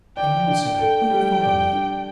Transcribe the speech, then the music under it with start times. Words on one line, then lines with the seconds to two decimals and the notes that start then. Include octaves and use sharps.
And now, sir, will you follow me?
0.17 D5 G5
0.48 D4
0.79 A4 G5
1.10 G3
1.41 D5
1.73 D4